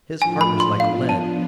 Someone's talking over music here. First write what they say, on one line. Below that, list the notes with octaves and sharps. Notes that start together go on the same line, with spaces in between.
His heart was like lead.
A2 F3 A3 D4 F4 G#5
B5
C6
F3 B3 D4 F4 F5
A5